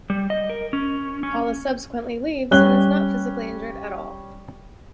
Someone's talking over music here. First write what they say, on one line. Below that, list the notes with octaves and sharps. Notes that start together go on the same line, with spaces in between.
Paula subsequently leaves and is not physically injured at all.
G3
D#5
A#4
C#4
C#4
G3 C#4 F#6 G7